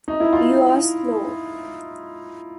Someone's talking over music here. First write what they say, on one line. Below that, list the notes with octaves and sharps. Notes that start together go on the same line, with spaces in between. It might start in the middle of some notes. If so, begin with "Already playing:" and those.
You are slow!
D#4
E4
F4